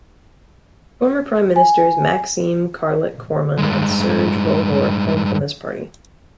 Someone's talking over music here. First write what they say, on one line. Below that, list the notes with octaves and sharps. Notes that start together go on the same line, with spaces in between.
Former prime ministers Maxime Carlot Korman and Serge Vohor came from this party.
G#5
G2 G#3